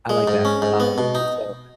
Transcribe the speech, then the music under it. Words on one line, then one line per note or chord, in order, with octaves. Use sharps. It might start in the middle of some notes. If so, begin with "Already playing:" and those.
I like that, um, and, so,
G#3
G#2
C#4
G#2
B3
B2
D#4